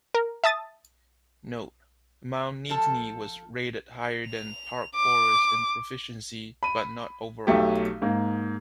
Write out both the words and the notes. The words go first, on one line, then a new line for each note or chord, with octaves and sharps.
Note: Mount Nittany was rated higher than Park Forest in proficiency but not overall.
A#4
E5 A5 D#6 A6
F3 A4
F7
D6
B5 D#7
B1 F#3 A3 G4
G#2 A#3